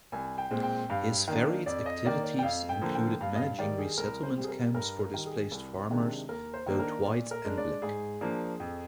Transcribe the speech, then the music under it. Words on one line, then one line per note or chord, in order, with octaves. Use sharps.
His varied activities included managing resettlement camps for displaced farmers, both white and black.
C2 G#5
G5
A#2 G#3 C4
G5
G2 F5
D#3 A#3 D4
F2 D5
D#5
D#3 A#3 D5
D5
G5
F2 F5
G5
D3 F3 A#3
G5
G2 F5
D#5
F5
D#3 G3 D5
G#4
C2 A#4
C5
C3 G3
G#4
A#4
G2 A#4
A#4
D#3 G3
G#4
C2
C3 D#3 G#3 D4
D#2 A#4
C5
D#3 A#3 D4
A#4
A#2 D5
A#4
G#3 D4
D5
G#2 G#4
F3 A#3 D4
F2